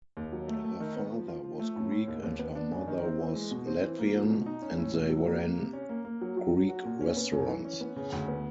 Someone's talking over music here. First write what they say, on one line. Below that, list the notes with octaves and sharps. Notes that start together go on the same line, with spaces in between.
Her father was Greek and her mother was Latvian, and they ran Greek restaurants.
D#2
F#3
A3
A3
D#3
B3
F3
F4
F3
A3
A2
A2
D#2
D#2
B3
D4
F#2
D#3
C4
E3
G#3
B2
C4
E3
A#3
F3
B2
D#4
C#4
A2
B2
F#3
A#3
A#3
C3
C#4
A#3
A#3
F#3
F#3
F#3
F#4
A#2
C#4
B3
F#2
E3
C#4
B3
C#3
D2
B3